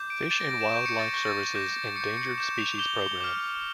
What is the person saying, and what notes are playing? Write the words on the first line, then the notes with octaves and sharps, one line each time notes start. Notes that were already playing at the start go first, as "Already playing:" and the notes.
Fish and Wildlife Service's endangered species program.
Already playing: D6 G6
D7
D6 G6 A6
A#6
D7
E7
C#6 G6 D7
C#7
A6
C#6 G6 A#6
A6
D6 G6 A#6
D6 G6 C#7
C#7
D6 G6 E7
F7
D6 G6 G7
G7
D6 F6